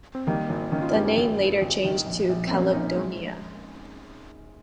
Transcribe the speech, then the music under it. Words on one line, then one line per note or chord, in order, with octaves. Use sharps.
The name later changed to Caledonia.
C4
D#3 G3 A#3
G#1
D#3 A#3 C#4
C#4 F4
G2 D#4 G4
C#4 F4
G#1
G2
G#1
D#3
A#1
A#1
C4
A#1 A#3 C#4
A#3 C#4
A#1 C4 D#4
G#3